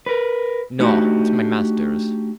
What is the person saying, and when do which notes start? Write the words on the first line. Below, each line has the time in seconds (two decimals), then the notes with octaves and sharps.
"No, it's my master's."
0.06 A#4 B4
0.80 A3 D4 D#4 F#4 G4